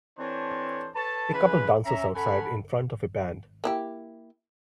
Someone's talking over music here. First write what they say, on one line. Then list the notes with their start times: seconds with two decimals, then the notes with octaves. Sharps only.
A couple dances outside in front of a band.
0.18 E3 C4 D4 A4 C5 C#5
0.96 A4 B4 C#5 A5
1.32 C#3 E3 G#3 B4
1.85 C#4 E5 A#5
2.15 C#4 A4 F#5 B5
3.64 A#3 E4 G4